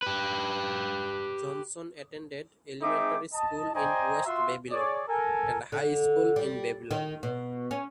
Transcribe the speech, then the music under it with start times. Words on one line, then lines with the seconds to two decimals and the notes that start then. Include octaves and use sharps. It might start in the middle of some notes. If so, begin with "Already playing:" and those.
Johnson attended elementary school in West Babylon and high school in Babylon.
0.02 G4 B4
2.82 G#3 C4 D#4 G#4 E5 D6
3.33 D#5 A5
3.74 C5 D5 D#5 G5 G#5 A#5
4.25 F4 F#4 E5 C6
4.70 G#4 C#5 D5
5.07 A4 A#4 G#5
5.72 D3
6.36 G3
6.91 D#3
7.23 B2
7.71 C#4